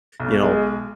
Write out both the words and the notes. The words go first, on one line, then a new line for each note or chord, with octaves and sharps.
you know,
B1
G#3